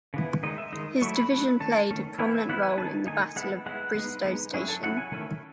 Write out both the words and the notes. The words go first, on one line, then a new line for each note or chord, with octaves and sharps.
His division played a prominent role in the Battle of Bristoe Station.
C#3 E3 B3 E4
D#3 G#3 D#4 D#5
E5
D#3 G#3 D#4 D#5
F#3 A3 E4 C#6
B5
F#3 A3 E4
D#3 A3 C#4 A5
D#3 A3 C#4
E3 B3 E4 G#5
E5
E3 B3 E4 F#5
G#5
D#3 A3 D#4 A5
D#3 A3 D#4 G#5
G#3 B3 E4 F#5
G#3 B3 E4 F#5
G#3 B3 D#4
G#3 B3 D#4
F#3 C#4 E4 G#4
A4
F#3 C#4 E4 F#5
G#5
D#3 A3 C#4 E4